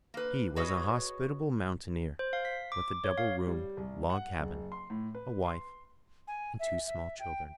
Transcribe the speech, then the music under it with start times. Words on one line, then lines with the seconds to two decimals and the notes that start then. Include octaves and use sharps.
He was a hospitable mountaineer, with a double-roomed log cabin, a wife and two small children.
0.14 A#3 B4
0.56 F#4 G#4 B4 C#5 D#5
2.19 C5
2.33 F5
2.45 B6
2.72 D6
3.04 C#5
3.18 F5
3.47 G3
3.77 C2
4.10 F#5
4.39 F#1
4.72 C6
4.90 A2
5.15 B4
5.46 C6
6.28 G#5
6.60 E5
6.87 E5
7.20 G5